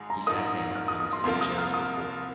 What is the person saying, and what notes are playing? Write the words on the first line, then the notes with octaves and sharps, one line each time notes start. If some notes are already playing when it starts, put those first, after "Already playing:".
He sat down on the same chair as before.
Already playing: G#1 G#2 G#3 G#4
A#5
A#1 G#2 F3 A#3 D#4 D#6
F6
D#6
D#6
C6
C2 C3 F3 A#3 F4 C6
D#6
F6
D#6